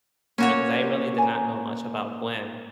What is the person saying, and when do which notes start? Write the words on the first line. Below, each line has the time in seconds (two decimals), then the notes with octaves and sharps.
you know, 'cause I really did not know much about Gwen,
0.38 A#3 C#4 F#4 C#5
0.80 F4 G4 C5
1.18 G#5 A#5